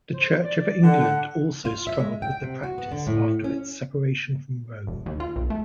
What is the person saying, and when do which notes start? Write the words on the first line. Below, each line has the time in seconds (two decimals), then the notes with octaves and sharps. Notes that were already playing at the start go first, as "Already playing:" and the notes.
The Church of England also struggled with the practice after its separation from Rome.
0.13 C5
0.44 D5
0.83 D3 F#5
1.65 F4
1.87 E5
1.99 G#3
2.22 G5
2.42 C3
2.63 F#4
2.78 B3
2.92 D3
3.07 A2
3.44 C#4
4.87 E1
5.06 D#2
5.20 F4
5.36 B1
5.50 A3